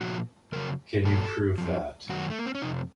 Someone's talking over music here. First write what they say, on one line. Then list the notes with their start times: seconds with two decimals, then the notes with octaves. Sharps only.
Can you prove that?
0.01 A#2 F3 F#4
0.52 F2 C#3 F#3 A#4
1.05 A#2 F#3 A4
1.58 F#2 F3
2.09 F#2 D#3 F#3 F#4
2.30 A3
2.39 A#3
2.46 C4
2.55 C#4
2.62 F2 C3 D#4